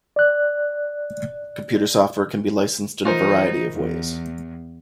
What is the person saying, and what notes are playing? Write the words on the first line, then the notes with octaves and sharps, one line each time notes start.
Computer software can be licensed in a variety of ways.
D5 F#6
E3 D#4 F4 A#4 C5
E2